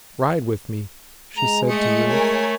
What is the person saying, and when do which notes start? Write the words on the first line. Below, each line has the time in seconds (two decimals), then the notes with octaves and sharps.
"Ride with me," she said to Ruth.
1.37 G#3 A#5
1.69 A3 D#5 C#7
2.09 A#4 C#5 G#5